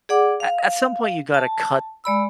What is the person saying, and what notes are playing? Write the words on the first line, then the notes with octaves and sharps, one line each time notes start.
a at some point, you gotta cut
G#4 D5 F#5 D6
F5
A5
G#3 D5 B5 E6